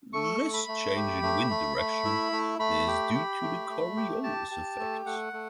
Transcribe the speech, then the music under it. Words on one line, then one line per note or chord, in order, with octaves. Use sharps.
This change in wind direction is due to the Coriolis Effect.
A3 C#6
A3
B5
A3
G4
A3
A3
A3
E4
A3
A3 B5
G4
G4
A3
A3
G4
G4 A5
G4
A3
A3 F#5
A3